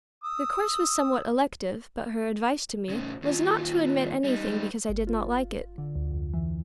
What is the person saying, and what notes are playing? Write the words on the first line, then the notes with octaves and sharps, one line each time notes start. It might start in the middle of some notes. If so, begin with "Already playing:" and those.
The course was somewhat elective, but her advice to me was, not to omit anything because I did not like it.
D#6 E6
A2 C#3
D#2 F4
G3 D#4
G1
F4
D3
D2
F2
E3